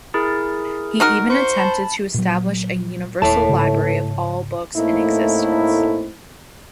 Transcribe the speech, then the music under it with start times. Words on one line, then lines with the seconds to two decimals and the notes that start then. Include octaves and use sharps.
He even attempted to establish a "universal library" of all books in existence.
0.14 E4 G#4 A#4
1.00 D#4 F#4 A#4
1.30 C5 C#6 C#7
1.57 A5 B5
2.14 A#2 F#3
3.22 D#1 A2 C#5 E5 A5
3.49 G#2 C#3
4.76 A2 A3 A#3 C4 D#4 E4